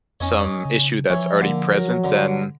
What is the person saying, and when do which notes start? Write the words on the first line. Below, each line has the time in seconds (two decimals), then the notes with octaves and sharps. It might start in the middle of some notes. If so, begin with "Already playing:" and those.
some issue that's already present, then
0.20 F2 C#4 D#4 C#5
0.65 C#3
1.10 E3 F3 C#5
1.41 D3 A#3
1.72 F#3 A#4
2.04 D3 A#5